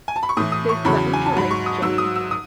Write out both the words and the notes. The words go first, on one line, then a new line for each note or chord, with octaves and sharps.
They threaten to rape Jenny.
G#5
A5
B5
C#6
A2 E3 D#6
D#6
C#6
E2 C#3 F#3 B5
G#5
A5
G#2 F#3 B5
C#6
D#6
G#2 F#3 E6
D#6
E6
D#6